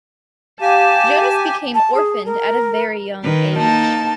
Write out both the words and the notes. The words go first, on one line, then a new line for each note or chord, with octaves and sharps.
Jonas became orphaned at a very young age.
G4 F5 G#5 A5
A5
G#4
A#4
D#3 B4
A#3 D#4 A5